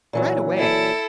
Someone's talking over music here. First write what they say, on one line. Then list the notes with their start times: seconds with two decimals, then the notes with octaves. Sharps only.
"Right away."
0.13 A#2 E3 F#3
0.58 E4 A4